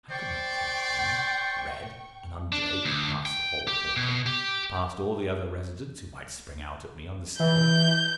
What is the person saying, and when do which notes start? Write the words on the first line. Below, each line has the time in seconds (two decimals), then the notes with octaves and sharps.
I could not take him, red and undraped, past the hall-porter, past all the other residents who might spring out at me on the stairs.
0.11 C5 D5 G5 C#6
2.52 D4
2.85 D2
3.26 G5
3.67 G4
3.97 B2
4.26 G4
7.40 E3 G6